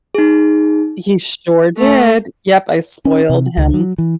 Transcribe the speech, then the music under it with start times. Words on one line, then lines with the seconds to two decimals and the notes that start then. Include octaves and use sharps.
He sure did! Yep, I spoiled him,
0.15 D#4 G#4
1.78 A3
3.05 C#4
3.29 C3
3.57 C#2
3.74 F#3
3.98 E3